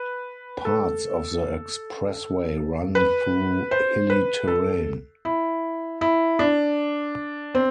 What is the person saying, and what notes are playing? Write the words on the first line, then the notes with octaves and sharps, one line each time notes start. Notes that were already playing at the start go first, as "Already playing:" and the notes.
Parts of the expressway run through hilly terrain.
Already playing: B4
A4
B4
C5
B4
A4
E4
E4
D4
C4